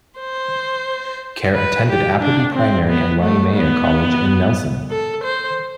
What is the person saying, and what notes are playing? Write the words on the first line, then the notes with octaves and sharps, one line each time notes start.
Kerr attended Appleby Primary and Waimea College in Nelson.
C5
B4
G4
D4
C4
B3
A3
B3
A4
C5